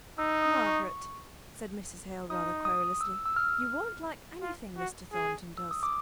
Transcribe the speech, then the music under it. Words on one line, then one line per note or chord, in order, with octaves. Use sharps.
'Margaret!' said Mrs. Hale, rather querulously, 'you won't like anything Mr. Thornton does.
D#4 E6
D#6
C#6
D#4 D#6
D#6
E6
E6
F6
F4
F#4
G#4
E6
D#6
D6